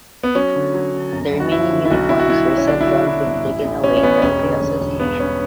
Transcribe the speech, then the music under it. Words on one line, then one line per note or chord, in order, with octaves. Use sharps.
The remaining uniforms were said to have been taken away by the association.
B3
F#3 C#4
D3
F#3
D3
F#2
F#1
F#4
F#1 E4
D3
E4
B1 F#4
B1 E4
F#4
B1 E4
F#3
C#4
D3 D4
E4
D3 F#4
F#3 E4
G1
A1
A1
A1 C#4
C#4
A1 B3
E1 C#4
D3
E1
E1
G2 B3
G2 C#4